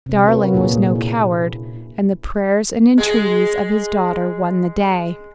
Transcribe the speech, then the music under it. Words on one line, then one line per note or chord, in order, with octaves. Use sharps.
Darling was no coward, and the prayers and entreaties of his daughter won the day.
C3 C#4
F4 F#4 A#4 B4 C#5
A#2 D4 G#4
E4
G#3 G#4